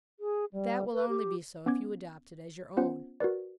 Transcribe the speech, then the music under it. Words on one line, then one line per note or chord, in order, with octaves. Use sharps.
But that will only be so if you adopt it as your own.
G#4
G3
B4
G4
B3 C#4 D6 G#6
B3 C#4 F4 C5 F#5
F#4 A#4 B4 D5